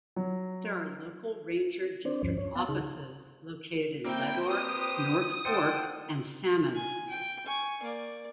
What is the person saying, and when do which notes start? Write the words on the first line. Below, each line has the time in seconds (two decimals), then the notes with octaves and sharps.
There are local ranger district offices located in Leadore, North Fork, and Salmon.
0.16 F#3
2.05 C4 D4 C5 D5
2.22 D2 G2 F3 C#4
2.38 C#5
2.55 B3 F5 F#5 A5
2.69 C#3 D#4 G#4
4.04 A#3 C4 E4 G5
4.45 G4 B4 C5 D#6
5.45 A4 C5 F#5 G5 C#7
6.75 G#5
7.10 G5
7.46 G#5 C#6
7.83 A#3 D5